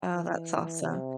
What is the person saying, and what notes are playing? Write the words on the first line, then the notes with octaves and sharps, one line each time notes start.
Oh, that's awesome.
E3
C3